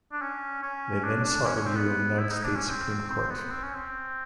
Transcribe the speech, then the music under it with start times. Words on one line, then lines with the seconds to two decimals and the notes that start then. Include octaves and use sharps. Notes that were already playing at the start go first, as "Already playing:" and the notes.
They then sought review in the United States Supreme Court.
0.12 D4
0.22 C#4
0.63 C#4
1.04 D4
1.24 D4
1.46 C#4
1.56 C#4
1.66 C4
1.76 B3
2.19 E4
2.31 D#4
2.44 D4
2.56 C#4
2.69 C4
3.10 C4
3.30 B3
3.51 C4
3.63 C#4
3.74 C4